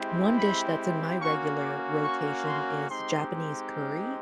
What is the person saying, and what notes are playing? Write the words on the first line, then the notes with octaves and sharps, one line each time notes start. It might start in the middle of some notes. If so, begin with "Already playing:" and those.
one dish that's in my regular rotation is Japanese curry
Already playing: G#3 C4 E4 G4
B5
A#3 C#4 F#4 C#6
D6
C#6
C6
G#3 C4 D#4 G4 C6